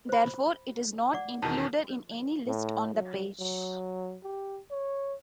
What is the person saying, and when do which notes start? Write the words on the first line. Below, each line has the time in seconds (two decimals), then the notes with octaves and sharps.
Therefore, it is not included in any list on the page.
0.09 C5 B5
1.14 D5 F#5 D6
1.42 E2 B2 D#3 A5
2.47 A2
2.94 F#3
3.40 F#3
4.23 G4
4.71 C#5